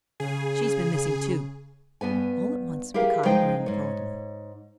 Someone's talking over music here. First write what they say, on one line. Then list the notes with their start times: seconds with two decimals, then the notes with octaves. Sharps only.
"She's been missing, too!" All at once Mackay grinned broadly.
0.20 C#3 G#4
2.01 G2 B3 B4 G#5
2.94 E4 G4 G#4 A#4 F5
3.25 F3 G#3 D#4 C5 D#5 G5
3.66 G#2 C#5